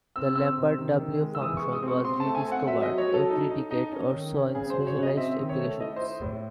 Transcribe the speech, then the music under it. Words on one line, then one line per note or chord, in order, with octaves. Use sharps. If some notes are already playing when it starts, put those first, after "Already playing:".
The Lambert W function was "re-discovered" every decade or so in specialized applications.
C4 E6
C4 E6
C3
D#3
D#3
G#3
E6
E3 D#6
C#6
G#3
D#6
C4
C#6
C4 C6
A3 A5
G#5
C4
F#5
F#3 E5
F#3 D#5
C#5
F#3
A4
D#4
D#4
D#4
C#4
D#3
C#4
C#3 G#4
C5
F#3
C#5
C#3
D#5
C4 E5
D#3
C#5
A3
E4 D#5
E4 C5
A2